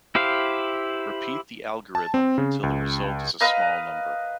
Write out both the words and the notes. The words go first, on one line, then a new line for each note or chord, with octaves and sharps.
Repeat the algorithm until the result is a small number.
E4 G4 C5 F5
A5
C4
C#3
C#2
B4 D#5 F5 A#5